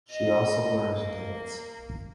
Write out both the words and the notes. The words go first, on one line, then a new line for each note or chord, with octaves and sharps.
She also learned dance.
D#5
A#3